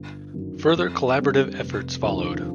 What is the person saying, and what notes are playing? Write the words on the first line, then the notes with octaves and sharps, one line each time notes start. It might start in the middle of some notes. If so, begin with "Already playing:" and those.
Further collaborative efforts followed.
Already playing: G1
F#2 D#3 F#3
F2
D3 G3 C4
F1
D#2 D3 F3